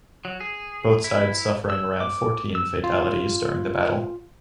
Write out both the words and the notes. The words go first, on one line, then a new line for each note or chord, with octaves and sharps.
Both sides suffering around fourteen fatalities during the battle.
F#3
G#4
E4
E6
D6
E6
F4